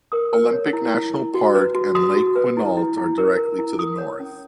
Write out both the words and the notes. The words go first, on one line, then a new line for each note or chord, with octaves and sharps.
Olympic National Park and Lake Quinault are directly to the north.
A#4 D#6
A#4
C#5
E4
E4
E4
F#4
B4
F#4
F#4 D#6
F#4
B4
E4
E4
E4
A#4
A#4
E4
E4 D#6
C#5
C#4